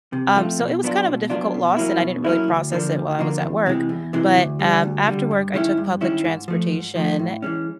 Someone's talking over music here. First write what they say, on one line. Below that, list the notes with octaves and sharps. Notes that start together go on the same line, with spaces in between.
um, so it was kind of a difficult loss, and I didn't really process it while I was at work, but, um, after work, I took public transportation
C3
F3 A3 C4 F4
B2
F#3 B3 D4 F4
B2
F#3 B3 D4 F4
B2
F#3 A#3 C#4 E4
B2
F#3 A#3 C#4 E4
D2
D3 F3 A#3
D2
D3 F3 A#3
E2
C3 E3 G#3
E2
C3 E3 G#3
D2
D3 G3
D2
D3 G3
G2
D#3 G#3 C#4 E4
G2
D#3 G#3 C#4 E4
G#2
F3 A3
G#2
F3 A3
A2
E3 G#3 C#4